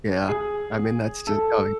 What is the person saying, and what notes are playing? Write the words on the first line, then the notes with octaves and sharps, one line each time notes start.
Yeah, I mean, that's just oh y
G#4
A4